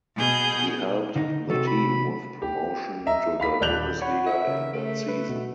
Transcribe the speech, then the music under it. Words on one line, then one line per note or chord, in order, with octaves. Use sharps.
He helped the team with promotion to the Bundesliga in that season.
B2 G#4 G6
D3 D#3 D#4
C3 F#3 A4
B5
G4
D#5 E5 A#5
F5 B5 B6
D#1 D5 F#6 G6 F7 F#7
C#5 F#5 B5
E5
C#3 A#4
A3
B4
B2